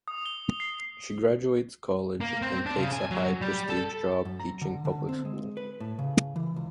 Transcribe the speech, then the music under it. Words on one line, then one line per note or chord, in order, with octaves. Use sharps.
She graduates college and takes a high-prestige job teaching public school.
D#6
G7
C7
A#3
C4
D4
C#3
G#5
F#3
G3
A4
F#2
A#5
D3
D3
C4
G#3
B4
A2
C#3
E3
C#2